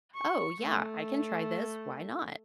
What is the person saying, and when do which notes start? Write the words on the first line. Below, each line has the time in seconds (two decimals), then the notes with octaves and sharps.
"Oh, yeah, I can try this, why not?
0.14 C#6
0.61 A3